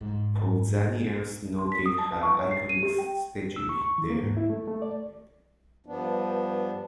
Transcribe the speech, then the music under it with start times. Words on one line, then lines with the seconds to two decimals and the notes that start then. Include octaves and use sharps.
Pausanias noted her iconic statue there.
0.01 G#2
1.59 C6
1.72 B6
1.86 D#6
1.98 A5
2.11 B4
2.23 C#6
2.39 C#5
2.51 C7
2.69 D#7
2.83 G4
2.98 G5
3.56 E6
3.69 C#6
3.82 C#6
3.98 E3
4.10 A#3
4.23 G#2
4.37 E4
4.50 A3
4.68 A3
4.82 D5
5.86 G2 F3 B3 D4